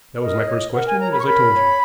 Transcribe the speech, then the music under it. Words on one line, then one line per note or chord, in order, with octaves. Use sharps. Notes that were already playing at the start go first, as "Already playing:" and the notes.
That was my first question, as I told you.
A#4 D#5
C#5
A#4 F#5
G#5
C#5 A#5
B5
C#6
A#4 B5
C#5